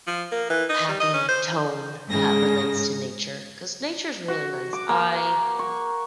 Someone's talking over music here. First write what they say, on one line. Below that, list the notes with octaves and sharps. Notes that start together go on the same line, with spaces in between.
happy tone that relates to nature 'cause nature is really nice. I
F3
A#3
E3
D#4
G3
D#5
C#4
C5
G#2 C#3 A#6
F#4
D6
A#3
C#6